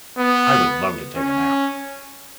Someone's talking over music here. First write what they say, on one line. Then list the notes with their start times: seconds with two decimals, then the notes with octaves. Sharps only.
I would love to take a nap.
0.18 B3
1.17 C#4